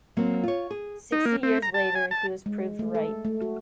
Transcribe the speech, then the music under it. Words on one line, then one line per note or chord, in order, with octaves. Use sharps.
Sixty years later he was proved right.
F#3 A#3 C4
F4 C#5
G#4
D#4
A#3
C4
A#5
A5
G#5
A5
G#3
A3
A4
A3
F#4